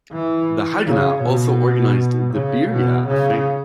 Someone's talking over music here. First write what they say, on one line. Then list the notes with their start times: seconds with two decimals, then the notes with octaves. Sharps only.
The Haganah also organized the Birya affair.
0.12 E3
0.87 C#3
1.23 B2
2.33 C#3
2.70 B2
3.07 C#3